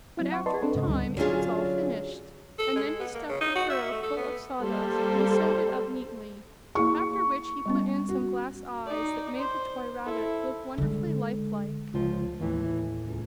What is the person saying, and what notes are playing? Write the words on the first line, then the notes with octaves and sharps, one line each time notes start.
But after a time it was all finished, and then he stuffed the fur full of sawdust and sewed it up neatly; after which he put in some glass eyes that made the toy rabbit look wonderfully life-like.
F#3 C4 E4
F#5 C#6
B4 D5 D#5 A5 C6
C4 D4 A4 B4
G#2 C#3 D#5
C#2 D3 G3
D3 F#3 C#4 F4 G#4
A4
G#3
B3
A#3
C#3
D#4
F#4
E5
A3
A4
B3
G3 A#3 A4 C5
A#3 E4 G#4 C#6
G3 B3 C#4
F#4
D#4 D5
C5
E4 A4
D3 G#3
C#2 F3
D#2 A2 E3
C#2